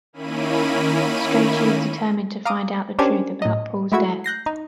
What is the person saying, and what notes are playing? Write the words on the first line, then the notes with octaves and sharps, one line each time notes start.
Strachey is determined to find out the truth about Paul's death.
D#3 A#3 C#4 E4 B5 D#7
F5 A#5 D6 D#6
C#4 D4 G4 A#4 C5 G#5
A2 D#5
G#3 A3 E4 F#4 E5 G#6
F#6 G6 A#6 C7
D#4